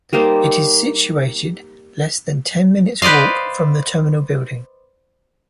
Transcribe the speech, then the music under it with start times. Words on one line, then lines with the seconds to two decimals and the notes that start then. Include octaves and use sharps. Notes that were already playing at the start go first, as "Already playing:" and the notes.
It is situated less than ten minutes walk from the Terminal building.
0.13 G3 A#3 D#4 C5
3.02 B4 C5 D5 D#5 F5